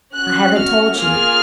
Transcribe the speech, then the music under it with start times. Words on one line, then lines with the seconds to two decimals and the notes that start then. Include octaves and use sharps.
I haven't told you.
0.14 C#4 F#4 F#6
0.56 F6
0.98 A#3 F4 G#4 F6